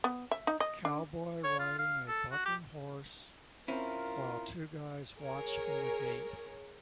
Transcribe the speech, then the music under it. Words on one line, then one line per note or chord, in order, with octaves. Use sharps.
Cowboy riding a bucking horse, while two guys watch from the gate.
B3
E5
D#4
D#5
D4
C#5
F4
F5
A4
F#4
G4
C4 C#4 E4 F4 A#4
G#4 A#4 C#5